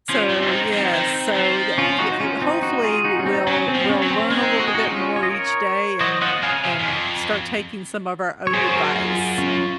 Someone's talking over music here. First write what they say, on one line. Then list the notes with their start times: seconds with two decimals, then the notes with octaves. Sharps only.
So, yeah, so tha i w hopefully, we'll we'll learn a little bit more each day and and start taking some of our own advice.
0.09 F3 C#4 F4
0.30 F3
0.37 C4 D#4
0.52 D#3
0.65 C4 D#4
0.73 F3
0.94 D#3
1.36 F3
1.78 C#4 F4
1.92 F4
1.99 D#4 F#4
2.12 D#4
2.21 C#4 F4
2.42 C4 D#4
2.62 D#4 F#4
2.83 F4 G#4
3.04 D#4 F#4
3.19 C#4
3.26 C4 D#4
3.47 F#3 C#4
3.68 C4
3.75 F3
3.84 C4
3.90 C#4
4.03 F#3
4.10 C4
4.31 G#3 C4 D#4
4.60 F#4
4.68 G#4
4.74 D#4 F#4
4.87 C#4 F4
5.16 C#5
5.23 D#5
5.30 A#4 C#5
6.00 F#3 C5 D#5
6.22 F3 D#5 F#5
6.43 C#3 F5 G#5
6.64 C3 F5 G#5
6.80 F#2
6.85 F2
8.47 C#5
8.53 F#2 G#4 C5
8.66 C5
8.76 F#4 A#4
8.96 F4 G#4
9.38 C#4 F4